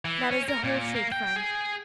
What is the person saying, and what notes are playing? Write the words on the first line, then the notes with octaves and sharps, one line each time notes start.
That is the whole truth, friend.
E3
C#4
A#4
A#2
A#3
G5
G#4